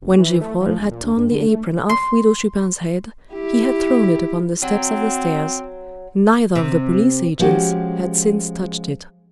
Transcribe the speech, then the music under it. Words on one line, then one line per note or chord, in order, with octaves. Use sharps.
When Gevrol had torn the apron off Widow Chupin's head he had thrown it upon the steps of the stairs; neither of the police agents had since touched it.
F#1
E3
A3
F3
G1
A#2
D2
G2
D3
A3
C6
E4 G4
F#3 C4
C3
F3 G#3 C#4 F#4 G4